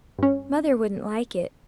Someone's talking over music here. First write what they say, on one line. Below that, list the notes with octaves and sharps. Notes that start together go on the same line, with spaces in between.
"Mother wouldn't like it."
G2 C#4